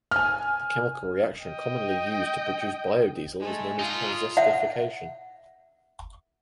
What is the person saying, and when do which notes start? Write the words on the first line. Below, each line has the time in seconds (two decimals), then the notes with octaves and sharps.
The chemical reaction commonly used to produce biodiesel is known as transesterification.
0.11 G#5 F6
1.44 D#5 G5
3.40 G#3 A3
3.79 D#4 F4 G#4
4.37 E5 F#5